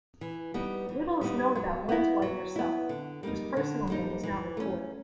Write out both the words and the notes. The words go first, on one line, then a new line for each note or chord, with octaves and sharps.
Little is known about Wen's wife herself, whose personal name was not recorded.
E3
G3 B3 D#4
E3
G3 B3 D#4
F#3
B3 E4
F#3
B3 E4
D3
G3 A#3 D#4
D3
G3 A#3 D#4
E3
A3 C#4